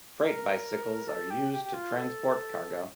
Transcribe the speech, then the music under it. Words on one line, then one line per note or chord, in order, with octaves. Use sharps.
Freight bicycles are used to transport cargo.
A#4
A4
G4
G4
G4
F4
A4